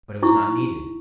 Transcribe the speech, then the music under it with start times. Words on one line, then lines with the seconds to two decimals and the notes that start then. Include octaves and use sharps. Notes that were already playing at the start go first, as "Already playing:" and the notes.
But it was not needed.
0.23 D#4 E4 C#6